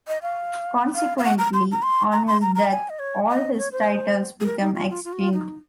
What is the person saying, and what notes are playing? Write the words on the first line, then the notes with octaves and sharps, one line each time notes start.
Consequently, on his death all his titles became extinct.
D#5
F5
F5
F5
F#5
A#5
C6
A#5
C6
A#5
C6
A#5
A#5
G#5
D#5
C#5
D#5
C#5
C5
G#4
A#4
D#4
F4
F4
F4
F#4
F4
D#4